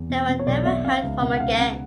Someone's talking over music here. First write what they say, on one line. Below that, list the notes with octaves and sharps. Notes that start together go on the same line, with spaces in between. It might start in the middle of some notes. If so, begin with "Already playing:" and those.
They were never heard from again.
Already playing: E2
B2
B2
C#5
B1 D5
B2 E5
B2 F5
C#2
B2 F#5
F#5
C#2 F5
B2 F#5